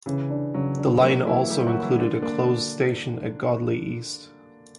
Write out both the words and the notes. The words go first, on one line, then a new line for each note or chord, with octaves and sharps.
The line also includes a closed station at Godley East.
C#3 E3
D4
C#3 F#3
D4
F#3 A#3
E3 A#3 E4
G3 A#3 G4
F#3 F#4
A#3
E3 E4
D3 A#3 D4
D3 A#3 D4